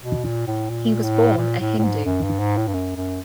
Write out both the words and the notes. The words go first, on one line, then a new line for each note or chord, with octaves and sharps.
He was born a Hindu.
B2
A#2
A2
A#2
A2
A#2
A2
A2
G#2
F#2
G2
G#2
A2
G2
F#2
F#2